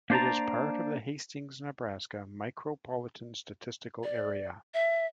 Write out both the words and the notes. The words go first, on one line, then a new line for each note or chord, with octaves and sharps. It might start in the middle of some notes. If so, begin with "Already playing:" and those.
It is part of the Hastings, Nebraska Micropolitan Statistical Area.
A#3 D4 C5 D5 A5 A#5
D5
E5